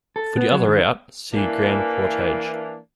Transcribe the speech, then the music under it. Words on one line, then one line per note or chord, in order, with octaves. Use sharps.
For the other route see Grand Portage.
A4
B3
F#3
D#3
E3 A#3 D4